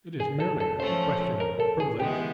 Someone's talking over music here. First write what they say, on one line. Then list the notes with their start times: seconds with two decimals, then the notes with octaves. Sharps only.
"It is merely a question of privilege."
0.20 G#4
0.40 A4
0.60 A4
0.80 F3 A3 C#4 C5
1.40 A#4
1.60 A4
1.80 G#4
2.00 E3 G#3 B3 G4